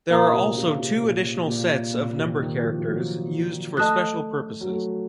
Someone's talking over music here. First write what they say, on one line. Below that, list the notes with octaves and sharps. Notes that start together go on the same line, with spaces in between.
There are also two additional sets of number characters used for special purposes.
A#2 A#4 F5 A#5 D#6
C3
C#3
C3
A#2
A#2
A#2
C3
D#3
F3
F3
F#3
A3 D#5 A5 D#6 F#6
F#3
A3